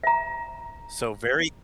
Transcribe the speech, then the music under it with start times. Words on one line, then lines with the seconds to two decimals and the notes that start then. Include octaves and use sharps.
so very
0.04 E5 A#5